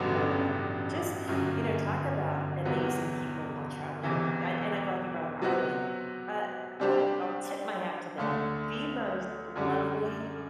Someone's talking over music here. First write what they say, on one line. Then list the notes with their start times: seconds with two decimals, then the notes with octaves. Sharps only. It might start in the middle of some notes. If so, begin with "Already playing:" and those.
But, um, just, you know, talk about amazing people while traveling. I and I'm glad you brought up Ireland. Uh, uh, I'll tip my hat to them. The most lovely,
Already playing: A1 G2 D3 F#3 B3
1.28 G1 F#2 F#3
2.65 E1 E2 C3 F#3 B3
4.03 E1 E2 C3 E3
5.41 C3 F#3 B3 F#4 C5
6.80 C3 G3 D4 G4 C5
8.18 D2 D3 A3
9.56 F#2 D3 G3